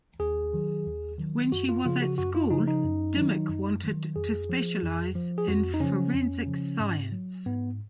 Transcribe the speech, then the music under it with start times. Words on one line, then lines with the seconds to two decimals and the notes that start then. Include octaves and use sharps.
When she was at school Dimmock wanted to specialise in forensic science.
0.19 D#2 G#4
0.53 D#3 F#3
0.86 D#2
1.18 D#3 F#3
1.52 F#2 F#4
1.69 F4
1.84 C#3 F3 F4
2.02 F#4
2.18 F#2 F#4
2.35 F4
2.51 C#3 F3 D#4
2.68 D#4
2.84 F#2
3.16 D#3 F#3
3.50 F#2
3.83 D#3 F#3
4.16 F2 G#4
4.49 F3
4.82 F2
5.15 F3
5.38 G#4
5.48 F2 F#4
5.74 D#4
5.80 C#3 F3 C#4
6.14 F2
6.47 C#3 F3
6.80 G#2
7.12 F#3
7.46 G#2 B3